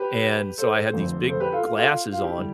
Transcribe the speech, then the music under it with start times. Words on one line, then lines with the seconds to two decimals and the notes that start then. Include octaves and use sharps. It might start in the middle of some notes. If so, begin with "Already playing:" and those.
And so I had these big glasses on.
Already playing: G4 B4
0.58 A4 C5
0.93 F1 F2 D3
1.29 A4 C5
1.40 G4 B4
1.52 F4 A4
1.64 F4
1.76 F4 A4
1.88 F4
2.12 F4
2.23 E4 G4
2.36 D3 G3